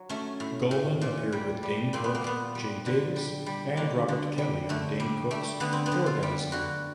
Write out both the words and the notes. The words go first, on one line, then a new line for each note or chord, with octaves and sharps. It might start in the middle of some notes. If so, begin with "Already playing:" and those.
Gulman appeared with Dane Cook, Jay Davis, and Robert Kelly on Dane Cook's "Tourgasm".
Already playing: F#3
A3 C#4
A2
A2
A#2
G3
G3
A#2 C4
B3
A#3
A#2 B3
G3
D3
G3
G3
D3 A#3
D3
G3
D3 A3
G3
G3 A3
D3 B3
C4
B3
D3
F4
G3
D3 F#4